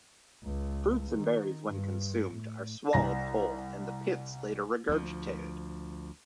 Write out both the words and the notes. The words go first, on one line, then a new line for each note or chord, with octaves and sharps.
Fruits and berries, when consumed are swallowed whole and the pits later regurgitated.
C#2
D#3
G2
A2
C2 A#5 A#6
D2 F3